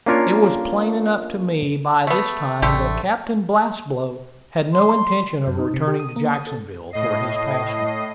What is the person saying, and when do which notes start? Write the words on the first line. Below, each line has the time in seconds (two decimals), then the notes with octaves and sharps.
It was plain enough to me by this time that Captain Blastblow had no intention of returning to Jacksonville for his passengers.
0.06 A#3 C#4 D4 F4 A#4 C#5
2.07 A3 B3
2.62 A1 D3 A3 G4
4.73 C6
5.47 F#2
5.59 D#4
5.74 C3
5.87 G4
6.00 D#6
6.16 A#3
6.34 D#6
6.47 A4
6.91 A2 D#5 C7